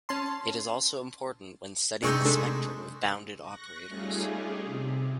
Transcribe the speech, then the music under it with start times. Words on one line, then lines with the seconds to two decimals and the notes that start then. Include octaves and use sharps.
It is also important when studying the spectrum of bounded operators.
0.09 C#4 A5 C6
2.03 C3 G#3 D4 D#4 C#6 G6
2.25 A3 D4 A4
3.44 C#6 F#6 A#6
3.86 G3 A3 C#4 D#4 F4 G#4
4.23 G4 G#4
4.64 C3